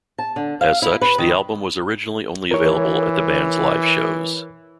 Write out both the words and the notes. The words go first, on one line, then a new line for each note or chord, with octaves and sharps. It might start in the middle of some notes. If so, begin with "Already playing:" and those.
As such, the album was originally only available at the band's live shows.
A5
D3
F5
E4
B4
D#3
E3 A#4 C#5